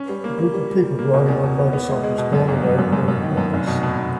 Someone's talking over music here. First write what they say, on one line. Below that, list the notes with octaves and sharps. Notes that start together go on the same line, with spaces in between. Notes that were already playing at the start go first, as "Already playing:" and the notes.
A group of people riding on motorcycles down the road wearing helmets.
Already playing: C#4
G3
A#3
A#3
G3
G3
G3
A#3
B2
E2
B2
B3
B3
G#3
G#3
B2
F#2
G1
F#3
F#2
F#2
F#2
D#3
F#2
F1
B2
B2
B2